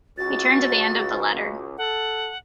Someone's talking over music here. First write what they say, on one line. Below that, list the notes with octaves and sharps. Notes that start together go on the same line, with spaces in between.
He turned to the end of the letter.
C#2 F#4 A6
A4 F#5